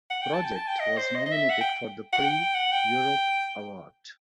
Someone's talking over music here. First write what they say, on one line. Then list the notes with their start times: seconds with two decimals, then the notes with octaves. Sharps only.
Project was nominated for the Prix Europe award.
0.10 F#5
0.22 G5
0.33 A5
0.45 G5
0.56 A5
0.67 G5
0.80 D#5
0.97 C5
1.15 D#5
1.26 D#5
1.32 E5
1.50 F#5
1.61 G5
2.12 F#5
2.20 G5
2.54 F#5
2.72 G5